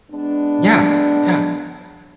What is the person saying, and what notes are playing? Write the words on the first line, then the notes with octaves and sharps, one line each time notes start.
Yeah, yeah.
G#3 B3 D4